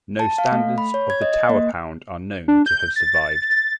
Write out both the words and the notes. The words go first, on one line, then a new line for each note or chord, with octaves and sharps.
No standards of the Tower pound are known to have survived.
A5
F5
A3
B5
C#5
G#6
D#5
D#5
A#3
D4
G6
A6